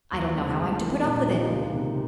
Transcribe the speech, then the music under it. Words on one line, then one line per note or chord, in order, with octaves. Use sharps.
I don't know how I'm to put up with it.
D#2
D#3 G#3 C4
G2
E3 G3 A#3
A#2
F3 A#3 D#4 G4
C#2
C3 D#3